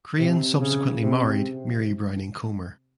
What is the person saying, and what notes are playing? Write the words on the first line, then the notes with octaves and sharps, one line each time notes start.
Crane subsequently married Mary Browning Comer.
C3
C#3
C3